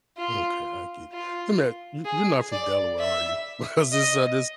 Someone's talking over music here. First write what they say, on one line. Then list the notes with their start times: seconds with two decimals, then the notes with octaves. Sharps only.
Okay, I get it. I mean, you you're not from Delaware, are you? Because this this
0.18 F4
1.12 F4
2.05 G#4
2.52 D5
2.99 E5
3.92 D#5